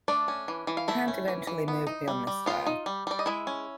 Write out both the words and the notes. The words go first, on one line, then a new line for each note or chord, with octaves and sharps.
Pant eventually moved beyond this style.
A3 D4 D5
C#4
E3
E3
F5
A3 E4 E5
C#4
E3
E3
B3
D#4
G3
G3
B3 F4 F5
D#4
G3
G3 D5
D#5
G#3 E4 E5
C#4